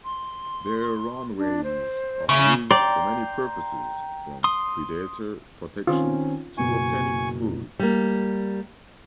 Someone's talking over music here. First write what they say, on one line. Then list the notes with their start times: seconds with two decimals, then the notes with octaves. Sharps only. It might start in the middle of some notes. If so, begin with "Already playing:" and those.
Their runways are used for many purposes, from predator protection to obtaining food.
0.04 C6
1.39 D4
1.64 C5
2.29 C#3 E5
2.71 D5 G5 A#5 C6
4.44 C6 D#6
5.87 D#3 C4 C#4 F4
6.58 F#1 B2 G#5 C#6
7.79 G3 A#3